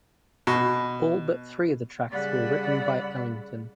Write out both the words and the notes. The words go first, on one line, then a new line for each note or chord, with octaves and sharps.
All but three of the tracks were written by Ellington.
B2
C#3 G3 D5 F#5 B5 E6